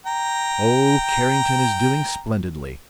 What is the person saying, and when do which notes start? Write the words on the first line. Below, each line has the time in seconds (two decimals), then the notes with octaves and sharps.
Oh, Carrington is doing splendidly!
0.06 G5 A#5